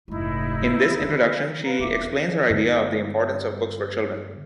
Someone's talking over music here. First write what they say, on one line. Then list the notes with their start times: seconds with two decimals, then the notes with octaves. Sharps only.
In this introduction, she explains her idea of the importance of books for children.
0.08 F1 G#2 D#4 E4
1.00 D3 F3
1.64 B4 F5 A#5
1.79 D#1 C#4 E5 D6
2.50 G2 D3 B3